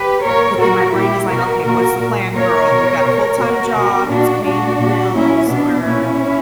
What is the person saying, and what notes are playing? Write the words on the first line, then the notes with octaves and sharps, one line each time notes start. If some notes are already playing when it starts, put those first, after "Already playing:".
But then my brain is like, "Okay, what's the plan, girl? We got a full-time job, it's paying the bills, we're
Already playing: G4 B4
A#2 A#4 C#5
A#2 F#4 A#4
A#2 E4 G4
B2 F#4 A#4
A#2 F#4 A#4
A#2
A#2 A#4 C#5
B2
B2
B2 F#4 A#4
B2
A#2 D4 F#4
A#2 D4 F#4
A#2
A#2 C#4 E4
B2 B3 D4
A#2 C#4 E4